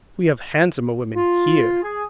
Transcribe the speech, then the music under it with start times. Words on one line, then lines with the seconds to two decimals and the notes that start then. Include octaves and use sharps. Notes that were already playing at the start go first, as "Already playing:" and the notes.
"We have handsomer women here."
1.15 F4
1.83 G#4